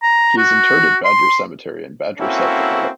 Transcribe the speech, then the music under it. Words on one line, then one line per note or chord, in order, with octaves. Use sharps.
He is interred at Badger Cemetery in Badger, South Dakota.
A#5
F#4
C6
A#3 C4 C#4 E4 F#4 A4